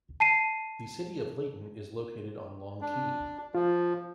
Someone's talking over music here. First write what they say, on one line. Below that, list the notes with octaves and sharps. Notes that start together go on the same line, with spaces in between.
The city of Layton is located on Long Key.
A5 C7 D#7
D4
F3 F4